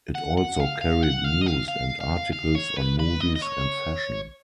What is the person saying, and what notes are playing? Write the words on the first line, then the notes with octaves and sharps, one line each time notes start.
It also carried news and articles on movies and fashion.
F#5
F#5
F5
F5
F#5
F5
D#5
F5
F5
F5
F5
C#5
B4
B4
D#5
D#5
C#5